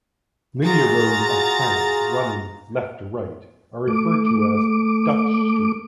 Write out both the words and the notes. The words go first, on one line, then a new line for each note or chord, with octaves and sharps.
Linear rows of plants running left-to-right are referred to as "Dutch streets".
F4 F#4 G#4 A#5 A6
A3 D6